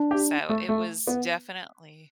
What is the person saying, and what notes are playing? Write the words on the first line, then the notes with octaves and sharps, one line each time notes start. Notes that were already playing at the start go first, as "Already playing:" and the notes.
so it was definitely
Already playing: D4
G4
A3
A3
B3